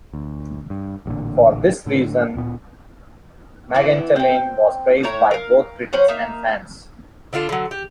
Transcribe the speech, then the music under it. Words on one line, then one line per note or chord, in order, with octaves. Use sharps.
For this reason, "Magentalane" was praised by both critics and fans.
D2
G2
A1 G2 A#2 D3
A2 D3
D1 A#2 B3
E3 B3 E4
C4 G5
A2 E4 C#5 A#5
A#4 F5
F#3 C#4 C5 F#5
A#3 D#4 E5 F5
D3 D4 F4 A4
D3 F#3
G4